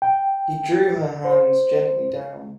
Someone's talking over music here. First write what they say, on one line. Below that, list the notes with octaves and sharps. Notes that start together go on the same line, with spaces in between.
He drew her hands gently down.
G5
C5